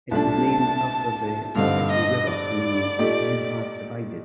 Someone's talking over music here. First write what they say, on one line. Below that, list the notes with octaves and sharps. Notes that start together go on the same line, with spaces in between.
It was named after the Macheke River and means "you have divided".
C2 A#2 A3 D4 A5
G2 D3 A3 C4 D#4 F5
D#5
D5
A#2 A3 D#4 G4